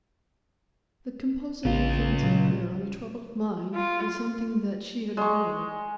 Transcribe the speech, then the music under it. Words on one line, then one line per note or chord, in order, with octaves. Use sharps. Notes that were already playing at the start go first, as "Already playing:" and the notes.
The composing influence of prayer on a troubled mind was something that she had heard of.
A1 C#3 F4
A#2 F#3
F4
G#3 C#6